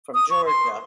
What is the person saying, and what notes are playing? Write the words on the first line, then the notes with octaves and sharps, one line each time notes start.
from Georgia.
D#6
C#6
C6